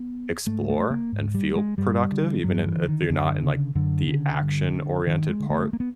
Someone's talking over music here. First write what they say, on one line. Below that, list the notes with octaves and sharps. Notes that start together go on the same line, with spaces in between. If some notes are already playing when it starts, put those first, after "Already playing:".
explore and feel productive even i if you're not in, like, the action-oriented part
Already playing: B3
G#2 A3
A3
A#3
G#2
G3
G#3
G2 G3
D3
G2 F#3
E3
D3
D#3
F#2 D3
C#3
F#2 D3
C#3
G2
D3
G2 D#3
G#3
D3
A3
A#3
B3